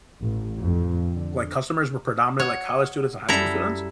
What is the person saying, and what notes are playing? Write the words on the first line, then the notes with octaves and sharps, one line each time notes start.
like customers were predominantly like college students and high school students.
A1
F2
D3
F#4 C#5
F#2 G3 E4 A4 A#5